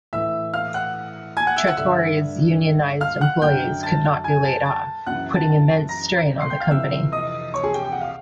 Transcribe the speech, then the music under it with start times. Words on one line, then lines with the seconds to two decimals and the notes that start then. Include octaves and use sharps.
Trattori's unionised employees could not be laid off, putting immense strain on the company.
0.13 A2 E3 E5 E6
0.54 F5 F6
0.74 F#5 F#6
1.37 G#5 G#6
1.47 F#5 F#6
1.56 E5 E6
1.67 F#5 F#6
1.77 G2 D3 E5 E6
3.01 F5 F6
3.21 F#5 F#6
3.41 F#2 D3 G5 G6
3.83 A5 A6
4.24 G#5 G#6
4.45 A5 A6
4.66 A5 A6
5.06 F#2 C#3 E3 F#5 F#6
5.34 A5 A6
5.89 A#5 A#6
6.41 C6 C7
6.50 G5 G6
6.60 F5 F6
6.71 F2 C3 E3 E5 E6
7.12 D#5 D#6
7.54 C#5 C#6
7.64 G#4 G#5
7.74 G4 G5
7.85 G5
7.92 F#5
8.01 F5